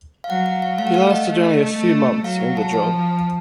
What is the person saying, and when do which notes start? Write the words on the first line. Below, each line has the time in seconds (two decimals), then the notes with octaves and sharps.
He lasted only a few months in the job.
0.24 F5
0.29 F#3 F#5
0.46 F#5
0.62 F5
0.78 A3 F5
0.87 F#5
0.94 F5
1.11 D#5
1.28 A3
1.76 A3
2.24 F#3 F5
2.41 F#5
2.57 A5
2.73 F3 A5